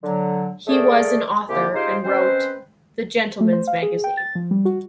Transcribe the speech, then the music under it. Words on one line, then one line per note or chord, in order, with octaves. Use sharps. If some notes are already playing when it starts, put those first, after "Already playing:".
He was an author and wrote for "The Gentleman's Magazine".
D3 F#3
A3 G#4 A#4 D5
C2 D3 A#3 G4
D#4 F4 G4 G#4 C5
G#3 C4 C#4 B4 C5
A3
C5
F5
G#4
G5
A6
F3
G3
F#4